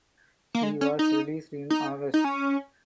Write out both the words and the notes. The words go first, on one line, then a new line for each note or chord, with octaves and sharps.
He was released in August.
A#3
G#3
C#4
D#4
D#4
D#4
C#4